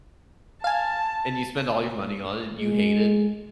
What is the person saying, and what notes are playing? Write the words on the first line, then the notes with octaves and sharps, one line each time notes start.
And you spend all your money on it. You hate it.
F5 G#5 A5
G#3